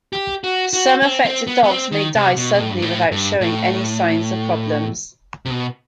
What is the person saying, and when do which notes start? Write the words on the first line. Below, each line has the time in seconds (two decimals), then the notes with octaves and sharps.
Some affected dogs may die suddenly without showing any signs of problems.
0.13 G4
0.44 F#4
0.73 F#4
1.03 C4
1.25 C4
1.47 B3
1.63 B3
1.70 C4
1.92 D#3
2.15 C3
2.37 B2
2.54 B2
2.60 A2
2.71 G2
2.82 A2
3.12 G2
3.41 A2
5.45 C3
5.50 B2